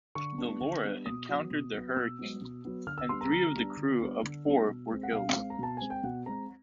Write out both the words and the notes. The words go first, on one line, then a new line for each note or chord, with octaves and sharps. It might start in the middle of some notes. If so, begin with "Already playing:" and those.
The "Laura" encountered the hurricane, and three of the crew of four were killed.
D3 C#6
G3 B3 D4
D3
G3 B3 D4
B2 D#6
F#3 B3
B2
F#3 B3
B2 E6
F#3 B3
B2
F#3 B3
D3 F6
E6
G3 B3 D4 C6
A#5
D3 A#5
G3 B3 D4
D3
G3 B3 D4
D3
G3 B3 D4
B2
G#3 C4
F#5
B2 F5
G#3 C4
A#5
B2 A5
G#3 C4 G#5
G5
B2 F#5
G#3 C4 A#5